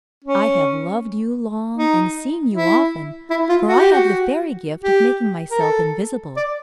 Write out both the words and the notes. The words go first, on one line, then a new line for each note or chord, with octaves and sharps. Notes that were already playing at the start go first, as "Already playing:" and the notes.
I have loved you long, and seen you often, for I have the fairy gift of making myself invisible.
C#4
D#4
E4
E4
F4
F#4
G4
F#4
G4
A#4
A4
D5